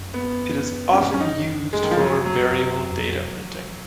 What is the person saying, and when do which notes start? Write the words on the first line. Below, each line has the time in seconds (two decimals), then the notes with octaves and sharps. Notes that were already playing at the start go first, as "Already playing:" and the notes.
It is often used for Variable Data Printing.
Already playing: F#2
0.14 B3
0.93 C#4
1.14 C#4
1.20 D#4
1.73 G#3
1.83 D#3
1.91 F3
1.99 F#3
2.25 F#3
2.52 F#2
2.91 F2